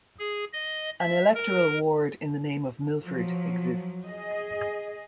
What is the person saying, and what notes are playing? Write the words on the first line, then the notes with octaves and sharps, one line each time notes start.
An electoral ward in the name of Milford exists.
G#4
D#5
E5
A#4
F3 F#3
G#4 D#5